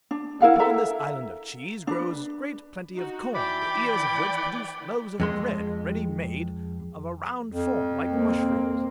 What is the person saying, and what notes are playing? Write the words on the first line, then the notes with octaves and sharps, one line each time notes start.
Upon this island of cheese grows great plenty of corn, the ears of which produce loaves of bread, ready made, of a round form like mushrooms.
D4
E4 A#4 F5 F#5
A4 E5 A#5
D4 B4
D#4 F#4
E3 D5 G5 B5 D6
F2 G#3 C6
F2
A#3 C4